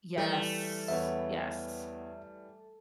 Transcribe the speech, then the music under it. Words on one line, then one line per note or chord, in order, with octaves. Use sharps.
Yes, Yes.
E3 G3 A3
E2 B3 C#5 E5